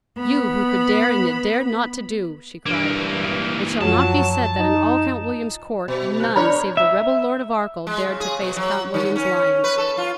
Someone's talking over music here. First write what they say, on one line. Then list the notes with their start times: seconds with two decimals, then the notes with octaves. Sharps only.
"You who could dare and yet dared not to do!" she cried, "it shall not be said that in all Count William's court none save the rebel Lord of Arkell dared to face Count William's lions!"
0.17 B3 B5
2.66 G2 E3 A#3 D4
3.81 F#2 F3 F#3 F4 A5
4.59 D#4
5.88 B2
6.20 F#6 G6
6.36 D4 C#5 A#5 B5 F6
6.77 E5
7.87 G#3
8.05 C#3
8.20 G#4
8.41 B2
8.56 F#3
8.94 D#3
9.16 C#4
9.64 B4
9.78 A4
9.98 F4